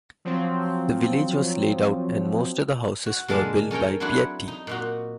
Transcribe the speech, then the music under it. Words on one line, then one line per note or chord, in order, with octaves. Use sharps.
The village was laid out and most of the houses were built by Beatty.
F3 F#3 C4
F#4
A#2 D3 G#3 D4 A#4 A5
C#4 A4 A#4 C#5 G5
F#3 C4 D4 E4 F#4 F#5
D#4
A#2 D#4 F#4